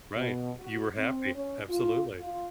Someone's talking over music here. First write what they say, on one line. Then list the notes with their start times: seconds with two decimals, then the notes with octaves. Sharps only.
Right, you were happy, absolutely.
0.15 B2
0.59 F#4
0.97 C4
1.34 C#4
1.70 F4
2.20 F4